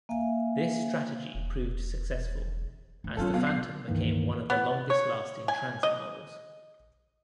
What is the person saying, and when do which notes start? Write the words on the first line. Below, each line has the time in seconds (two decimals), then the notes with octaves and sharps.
This strategy proved successful, as the Phantom became one of the longest-lasting transit models.
0.09 A#3 E5 F5 G#5
1.35 E1
3.04 D2
3.17 F#3 C4 C#4 F4 A4
3.34 B2 F5
3.47 G6 C7
3.88 C#2 G2 D#3 E3 A#3
4.50 B3
4.90 C#5
5.48 G#5
5.83 D#5